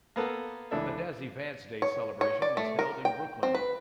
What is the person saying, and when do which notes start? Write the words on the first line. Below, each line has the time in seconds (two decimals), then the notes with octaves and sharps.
A Dazzy Vance Day celebration was held in Brooklyn.
0.16 A#3 B3 A4
0.71 C#2 E3 D4 A4 E5
1.82 C#5
2.21 C#5
2.42 D5
2.57 A3
2.79 A#4
3.05 G5
3.43 C4
3.55 B4